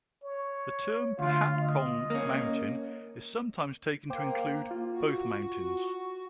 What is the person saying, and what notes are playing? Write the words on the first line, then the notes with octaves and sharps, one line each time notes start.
The term "Pohatcong Mountain" is sometimes taken to include both mountains.
C#5
D2 F4
D#5
A#3 C#4
A#3 C5 G5 D6
F4
F#4